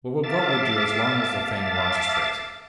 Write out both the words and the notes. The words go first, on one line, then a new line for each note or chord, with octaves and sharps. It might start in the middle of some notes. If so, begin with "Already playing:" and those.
We will go with you as long as the thing runs straight.
E5 F5 A5 D6 A6